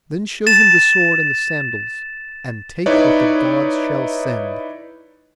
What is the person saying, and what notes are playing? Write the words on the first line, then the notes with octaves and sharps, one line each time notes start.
Then show him the sword and the sandals, and take what the Gods shall send.'
A6 E7
D#4 E4 B4 C#5 D5